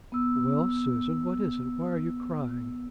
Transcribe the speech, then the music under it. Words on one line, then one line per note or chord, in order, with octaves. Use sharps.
'Well, Susan--what is it?--why are you crying?'
B3 E6